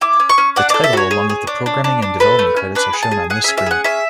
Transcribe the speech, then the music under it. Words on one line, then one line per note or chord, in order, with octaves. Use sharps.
The title along with the programming and development credits are shown on this screen.
E4 D6
C#4
C#6
C#4
D4 F#5
D5
A4
E5
F#4 C#5
G#4
G#4
D4
D4
D4
D4
A4 B4
A3
C#4
D4 B4
G#4
A5
G#4
G#4 F#5
C#4 E5
E5
G#4 F#5
C#4 E5